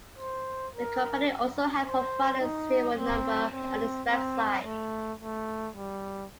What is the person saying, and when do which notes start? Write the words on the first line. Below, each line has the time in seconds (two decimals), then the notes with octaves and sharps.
The company also had provided a serial number on its website.
0.18 C5
0.74 A#4
1.86 C5
2.40 D#4
2.96 C4
3.52 C4
4.08 C4
4.63 A3
5.19 A3
5.76 G3